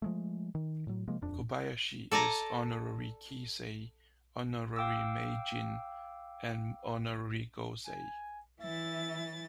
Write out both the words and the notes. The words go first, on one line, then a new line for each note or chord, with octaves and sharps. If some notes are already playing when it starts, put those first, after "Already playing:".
Kobayashi is Honorary Kisei, Honorary Meijin and Honorary Gosei.
F3 G#3 A3
D#3
A2 F#3
C3 F3 G#3 A#3
D#1 F2 D4
A4 D5 G#5 A#5
F5 G5 D6 E6
G#5
E3 E5 A6